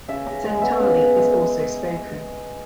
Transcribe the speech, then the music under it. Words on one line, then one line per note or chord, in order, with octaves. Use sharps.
Santali is also spoken.
C#3 E5
C#3 A#5
G#3 G#5
B3 E5
C#3
C#3
G#3